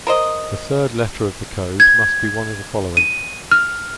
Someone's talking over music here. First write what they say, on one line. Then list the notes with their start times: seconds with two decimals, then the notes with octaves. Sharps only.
The third letter of the code must be one of the following.
0.07 A#4 C5 D#5
1.80 G#6
2.97 D#7
3.51 F6